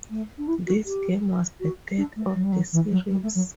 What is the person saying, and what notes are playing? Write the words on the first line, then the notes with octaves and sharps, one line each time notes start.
This game was the third of the series.
A3
D4
E4
F#4
G4
F#4
D4
A3
F#3
G3
F#3
E3
F#3
G3
A3
F#3